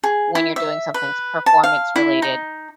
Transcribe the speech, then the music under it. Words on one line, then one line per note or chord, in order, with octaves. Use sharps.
when you're doing somethings performance-related.
G#4
E4
E5
B4
A5
F5
E4
D#4